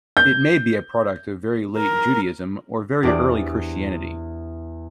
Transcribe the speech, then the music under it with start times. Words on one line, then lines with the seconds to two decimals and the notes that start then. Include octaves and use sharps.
It may be a product of very late Judaism or very early Christianity.
0.17 G6
1.77 A#4
3.03 E2 D4 G4 C5 D5